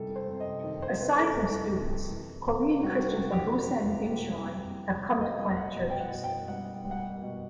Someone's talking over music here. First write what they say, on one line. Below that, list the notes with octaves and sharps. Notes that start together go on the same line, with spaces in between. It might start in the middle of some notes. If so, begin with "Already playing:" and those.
Aside from students, Korean Christians from Busan and Incheon have come to plant churches.
Already playing: C3 D#3 G3 A4
C5
C3
D#5
D#3
C5
C3 B4
A4
G3
C3
E3
C3
G3 F#4
F#4
C3
G4
E3
C3
G3
C3
G3
D#5
G3
F#5
B2
G5
F#5
B2
G5
G3 F#5
G3
F#5
G5
B2